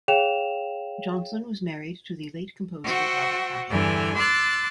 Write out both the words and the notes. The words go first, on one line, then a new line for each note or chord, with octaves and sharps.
Johnson was married to the late composer Robert Ashley.
G#4 C#5 F5 G5 E7 F7
F#4 C5 E5 F#5 G5
E2 G2 D3 E3 G5 G#5
C6 D6 E6 F#6 A6